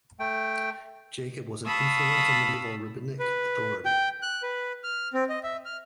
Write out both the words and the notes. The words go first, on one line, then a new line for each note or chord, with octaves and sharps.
Jacob was an influential Medieval rabbinic authority.
A3 G5
F5 A5 B5 C#6 D#6 E6
B4
G5
F#6
B4
F6
C4
D#5
E5
F6